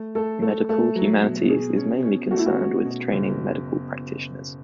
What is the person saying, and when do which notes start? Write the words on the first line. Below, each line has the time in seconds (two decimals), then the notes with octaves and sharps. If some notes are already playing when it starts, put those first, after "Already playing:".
Medical humanities is mainly concerned with training medical practitioners.
Already playing: A3
0.15 A3 A4
0.42 A3 A4
0.69 A3 A4
0.96 F#3
1.23 B2
1.50 B2 G#4
1.77 C#4
2.04 C#4
2.31 A3 F#4
2.39 E4
2.46 F#4
2.58 C#4
2.85 B2
3.12 F#1